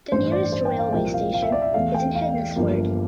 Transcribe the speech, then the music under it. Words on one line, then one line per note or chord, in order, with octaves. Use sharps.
The nearest railway station is in Hednesford.
A1 G2 E3 C5
D5
C5
G5
F5
C2 A#2 F3 A#3 G5
F5
F5
E5
D5
E5
E2 E3 A3 F5
G5
F5
G1 G2 F3 A#3